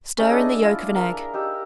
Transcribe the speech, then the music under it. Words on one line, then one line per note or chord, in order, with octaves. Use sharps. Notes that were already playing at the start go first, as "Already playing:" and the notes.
Stir in the yolk of an egg.
C#4 D#4 G#4 A4
D4 E4 G#4 D#5
E4 F4
A#4
D#4 G4 E6